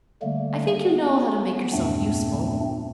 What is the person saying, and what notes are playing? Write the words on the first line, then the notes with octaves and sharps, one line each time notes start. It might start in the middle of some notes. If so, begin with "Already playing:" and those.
I think you know how to make yourself useful.
D3 G3 A3 A#3
B3
E2 G2 A#2 A3 C4 D4